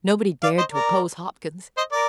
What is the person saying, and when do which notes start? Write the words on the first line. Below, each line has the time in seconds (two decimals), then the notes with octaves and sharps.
Nobody dared to oppose Hopkins.
0.43 D5 F5
0.58 C5 D#5
0.72 A#4 D5
1.77 C5 D#5
1.92 A#4 D5